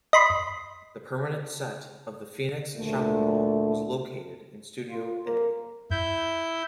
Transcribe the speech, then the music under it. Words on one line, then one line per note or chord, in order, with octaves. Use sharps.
The permanent set of the "Phoenix Shopping Mall" was located in Studio A.
D#5 B5 C6
D2 A#2 A3
F4
A#3
E4 G6